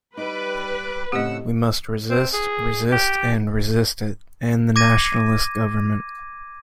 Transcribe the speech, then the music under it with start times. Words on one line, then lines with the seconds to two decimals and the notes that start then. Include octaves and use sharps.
We must resist, resist, and resist it - and the Nationalist Government.
0.17 G3 D#4 B4 D6
1.12 A2 C#3 C4 G4 D#5 F#5 E6
2.10 C4
2.33 G#4
2.91 G4
4.76 D6 G#6 A#6 D#7